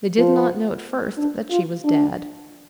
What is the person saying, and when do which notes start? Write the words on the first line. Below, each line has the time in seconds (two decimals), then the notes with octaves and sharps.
They did not know at first that she was dead.
0.18 F3
1.18 D4
1.51 F4
1.85 D4